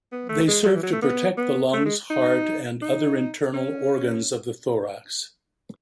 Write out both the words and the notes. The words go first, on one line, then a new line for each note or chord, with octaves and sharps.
They serve to protect the lungs, heart, and other internal organs of the thorax.
B3
A3
G#3
F#3
E3
F#3
A3
B3
B3
A3
G#3
D#4
D#4
C#4